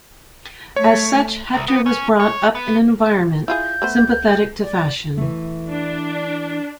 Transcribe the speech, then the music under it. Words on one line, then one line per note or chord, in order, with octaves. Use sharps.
As such, Hechter was brought up in an environment sympathetic to fashion.
A3 C#5
C2
B3
C#4
C#5
B3
E4 F4 G#4 G6
A3 B3 C5
D5
E3 A3
D4